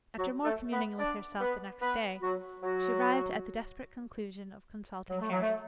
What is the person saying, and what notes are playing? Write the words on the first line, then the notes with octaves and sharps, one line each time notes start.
After more communing with herself next day, she arrived at the desperate conclusion of consulting Harry.
F#3 F#4
A3 A4
B3 B4
D4 D5
B3 B4
B3 B4
F#3 F#4
F#3 F#4
F#3
A3
F#3
A3